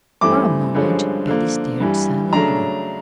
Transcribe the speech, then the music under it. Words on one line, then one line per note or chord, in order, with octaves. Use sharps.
For a moment Patty stared silently.
G2 E3 A3 C4 D6
G2 D3 F3 G#3 C#4
D3 F3 A#3
G2 E3 G3
C#3 F#3 A3 D4 A#5